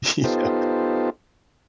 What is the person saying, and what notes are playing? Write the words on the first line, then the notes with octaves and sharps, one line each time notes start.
you know,
B3 D#4 F4 G4 A4 C5